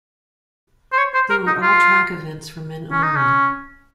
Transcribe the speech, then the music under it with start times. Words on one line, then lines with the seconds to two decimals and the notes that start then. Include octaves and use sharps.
They were all track events for men only.
0.92 C5
0.98 C#5
1.14 C5
1.30 A#4
1.47 D#4
1.62 F4
2.91 C#4
3.03 D#4
3.16 C#4